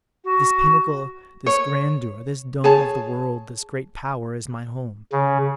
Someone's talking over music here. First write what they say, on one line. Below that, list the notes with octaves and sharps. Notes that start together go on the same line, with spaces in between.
This pinnacle, this grandeur, this dome of the world, this great power, is my home.
F#4
C#5
G#4 C#5 A5
C#3